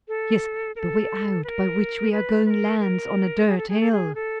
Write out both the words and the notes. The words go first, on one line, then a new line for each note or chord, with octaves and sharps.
"Yes; the way out by which we are going lands on a dirt hill."
A4
A#4
A4
B4
A#4
B4
B4
A#4
A#4
G#4
A4
G#4
A4
G#4
A4